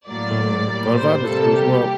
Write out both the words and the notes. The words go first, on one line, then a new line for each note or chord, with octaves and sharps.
Mm, well if I had to choose, well,
A2 F#3 A#3 D5
A2 G3 A#3
C5
C3 G3 A#3 A4
G4